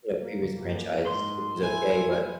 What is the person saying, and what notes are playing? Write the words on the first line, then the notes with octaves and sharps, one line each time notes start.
you know, previous franchises, which is okay, but,
A#3
F#2 A#3
G#2 D#4 C6
E4 G#5